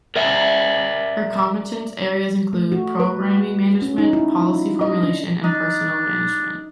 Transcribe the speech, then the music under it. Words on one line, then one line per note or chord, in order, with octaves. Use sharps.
Her Competence areas include Programme management, Policy formulation and personnel management.
A#4 D5 E5
A3
F#4
B4
C#4
D#4
E4
F4
D#5
D4
D4 D#4